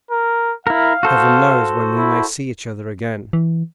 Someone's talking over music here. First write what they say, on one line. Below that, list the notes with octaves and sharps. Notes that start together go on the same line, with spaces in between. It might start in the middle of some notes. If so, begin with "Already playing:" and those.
Heaven knows when we may see each other again.
A#4
E4 A#4 F5
F#4 A4 C5
E4
E3